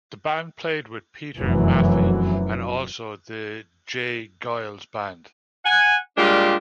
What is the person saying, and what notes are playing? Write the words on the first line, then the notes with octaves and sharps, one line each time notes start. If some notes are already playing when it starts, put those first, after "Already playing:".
The band played with Peter Maffey and also the J. Geils Band.
F1 F#2 E3 F#3
F#5 G#5
A#2 G3 G#3 D4 F4 G4